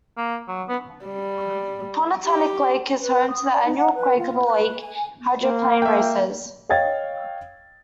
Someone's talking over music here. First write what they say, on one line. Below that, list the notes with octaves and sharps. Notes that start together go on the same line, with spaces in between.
Pontiac Lake is home to the annual "Quake on the Lake" hydroplane races.
A#3
F#3
B3
G3
G4
B4
D#6
D5
D#4
F#5
B4
F4
B4
G#5
A#3
E5 G5
C#5 D#5 F5 G5 G#6 A6